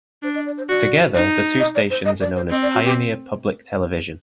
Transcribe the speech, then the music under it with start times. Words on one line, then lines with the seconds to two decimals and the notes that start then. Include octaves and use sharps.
Together, the two stations are known as Pioneer Public Television.
0.23 D4 C5
0.35 D#5
0.46 D5
0.57 C5
0.69 F#4 D5
1.15 D#4
1.59 D#5
1.75 D5
1.90 C5
2.05 D#5
2.20 D5
2.36 C5
2.50 C4 D#5
2.62 D5
2.74 F#4
2.84 G4